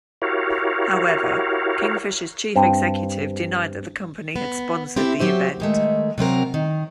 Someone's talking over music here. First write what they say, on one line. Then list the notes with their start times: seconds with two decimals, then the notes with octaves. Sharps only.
However, Kingfishers' chief executive denied that the company had sponsored the event.
0.22 E4 F#4 G4 A#4 C#5 F5
2.56 G2 C4
4.36 B3
4.96 C4 E4 G4
5.19 F#3 G4 C5 E5
5.60 D#3 G#3 A3
6.18 C3 F#3 C4 A#4
6.54 D#3